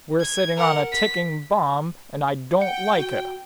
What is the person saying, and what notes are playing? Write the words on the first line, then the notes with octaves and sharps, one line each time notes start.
We're sitting on a ticking bomb and I don't like it.
G#6
A#4 F#5
B6
F#5 G5 C#7
F#4